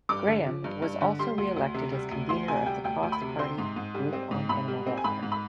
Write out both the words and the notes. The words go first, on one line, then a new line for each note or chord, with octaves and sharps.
Grahame was also re-elected as Convener of the Cross Party Group on Animal Welfare.
G2 D6
D3
F3
G2
G2
D3
G3 C6
D2
D2
C3
G3
D2
D2 C6
C3 G#5
G3 G5
D2 G5
D2
B5
C3
C4 C6
G#2
G#2
G3
C4
G#2
G#2 B5
G3
C4
G#5
G#2 B5
G#2
B5